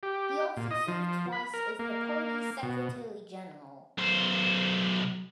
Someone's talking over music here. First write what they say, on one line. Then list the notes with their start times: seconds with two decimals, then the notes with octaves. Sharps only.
He also served twice as the party's secretary-general.
0.03 G4
0.57 A#2
0.71 D#5
0.88 F3
1.33 B5
1.54 A#4
1.79 A#3
2.63 B2
3.98 B1 C5